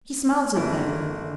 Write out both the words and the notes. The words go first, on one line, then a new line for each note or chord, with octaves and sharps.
He smiles at them.
F#1 D3 E4